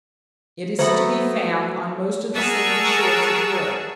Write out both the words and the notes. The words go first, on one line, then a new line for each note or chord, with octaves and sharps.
It is to be found on most of the sandy shores of Europe.
F#3 A3 B3 C5
G#4 A#4 F#5 A5 C#6 E6